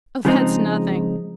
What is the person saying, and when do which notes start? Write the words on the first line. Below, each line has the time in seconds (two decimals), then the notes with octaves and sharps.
"Oh, that's nothing."
0.25 C#3 F3 G#3 C4 D#4